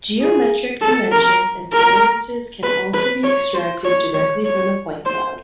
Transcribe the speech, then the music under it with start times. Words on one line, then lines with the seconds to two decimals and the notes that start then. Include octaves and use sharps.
Geometric dimensions and tolerances can also be extracted directly from the point cloud.
0.21 G#4
0.81 A4
1.12 A#4
1.72 A#4
2.63 B4
2.94 B4
3.23 C#5
3.54 C5
3.85 C#5
4.14 C#5
4.45 C#5
5.05 C5